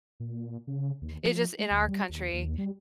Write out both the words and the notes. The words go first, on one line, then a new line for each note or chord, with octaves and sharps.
it's just in our country,
A#2
C#3
D#2
F3
G#3
D2
G3
D#2
D#2
G3